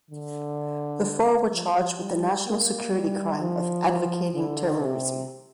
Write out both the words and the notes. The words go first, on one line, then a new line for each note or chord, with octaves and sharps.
The four were charged with the national security crime of "advocating terrorism".
D3
F3
G3
A#3
G3
F3
F3
D3
C3